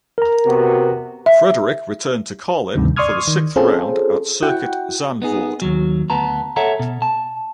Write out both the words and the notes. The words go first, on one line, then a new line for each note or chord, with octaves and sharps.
Frederick returned to Carlin for the sixth round at Circuit Zandvoort.
A#4 A#5
C3 B3 F#4
E5
D2 G2 C3 D#3
D5 C6 C#6 D#6 F6 G#6
D#3
C4 C#4 F4 G#4 A4 C5
E4 F#4 F#5 G5
B3 D#4 G#4
D#2 F#3
D2 B3 B4 A5 A#5
A4 C#5 E5 F#5 A5 A#5
B2
A5